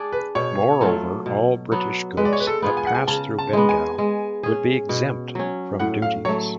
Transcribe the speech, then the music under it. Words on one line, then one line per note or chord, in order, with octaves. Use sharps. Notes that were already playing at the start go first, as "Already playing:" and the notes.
Moreover, all British goods that passed through Bengal would be exempt from duties.
Already playing: D4 G#4 D5
B4
B2 C#5
F#3 A3 F4
B2
F#3 B3
G#3 B4
D5
C#5
B4
A4
B3 F4 G#4
G#5
F#5
G#5
C#3 A5
A5
G#3 B3
G#5
G#3
C#4 G#4
B2
F#3 C#4
A2 F#5
F5
F#3 A3 C#5